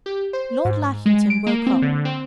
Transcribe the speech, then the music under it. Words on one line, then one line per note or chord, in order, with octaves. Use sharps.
Lord Lackington woke up.
G4
C5
G#2
G#3
D7
A#3
C4
D3
C4